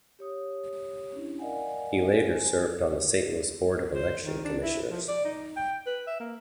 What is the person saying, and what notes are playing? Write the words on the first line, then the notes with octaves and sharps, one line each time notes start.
He later served on the Saint Louis board of election commissioners.
G4 C#5 D#6
C#4 D4 E4
A#4 D5 D#5 F5 F#5 G#5
C5 G#5
C5
D#3
D4
E4
F3
D5
D#4
G5
B4
E5
A#3